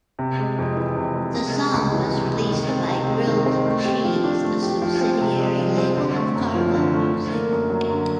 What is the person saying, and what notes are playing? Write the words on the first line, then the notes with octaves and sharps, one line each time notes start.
The song was released by Grilled Cheese, a subsidiary label of Cargo Music.
C3
G#3
F2
E3
C3
G#3
C3
G#3
C#2
E3
C3
G#3
D#3
C4
C3
G#3
D#3
C4
A3
G4
F3
D4
A3
G4
F3
C4
C3
G#3
F3
C4
D3
A3
F#2
F3
D3
A3
D3
A#3
F#2
F#3
D3